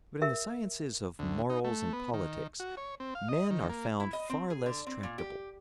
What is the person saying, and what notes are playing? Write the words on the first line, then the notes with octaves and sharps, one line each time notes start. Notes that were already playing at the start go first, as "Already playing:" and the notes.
But in the sciences of morals and politics, men are found far less tractable.
A#4 E5
D2
D#4
A3
B3
D#3
F#4
C#5
C4
F5
D#5
D#3
A#3
E4
D#5
C4
G#4
D3
C4
A#2
G4